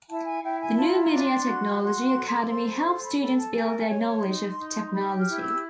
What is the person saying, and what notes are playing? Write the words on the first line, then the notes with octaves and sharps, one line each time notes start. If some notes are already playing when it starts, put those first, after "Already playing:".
The New Media Technology academy helps students build their knowledge of technology.
E4 A5
G#5
E4 G5
G#5
F4 A5
A#5
A5
A#5
D4
C6
F#4
F#4
A4
C5
C#6
A4 C6
B5
A4 B5
A5
A#4 G#5
G#5
C#5
C6
D#4
D#4
C6
G4 B5
F6
E4
E6